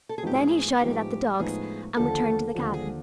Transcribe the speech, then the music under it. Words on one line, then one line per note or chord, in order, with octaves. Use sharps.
Then he shouted at the dogs, and returned to the cabin.
A4
G#4
A2 F3 G#3 B3 D#4 G4
G#4
A2 F3 G#3 B3 D#4 G4
A2 F3 G#3 B3 D#4 G#4
D#2 D3 F3 A4
D#2 D3 F3
G#4